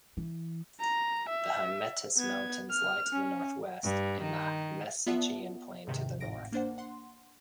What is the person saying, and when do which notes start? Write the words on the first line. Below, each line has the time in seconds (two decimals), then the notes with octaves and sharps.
The Hymettus mountains lie to the northwest and the Mesogeian plain to the north.
0.17 E3
0.81 A#5
1.29 E5
2.17 B3 G#6
2.70 F6
3.13 C#4
3.84 G2
4.22 D#3
5.07 B3 F4 D5 E5 F#5 A5
5.87 E2 G#2 C3 D#3
6.20 G#1 A2 A#6 D7
6.52 A#3 D4 C5 F#5
6.78 F#5 C6